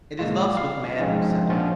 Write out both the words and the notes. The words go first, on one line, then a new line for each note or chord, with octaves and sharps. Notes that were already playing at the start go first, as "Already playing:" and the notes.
It is thus with man himself.
A#2 G#3 F4
F5
F3 G#3 C4 C#4 D#4 F4
A#2 F3 B3 C#4 D4 F4